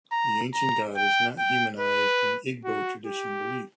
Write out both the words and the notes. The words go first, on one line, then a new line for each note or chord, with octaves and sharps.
The ancient God is not humanized in Igbo tradition belief.
A#5
A#5
G5
G5
B4
F#4
G4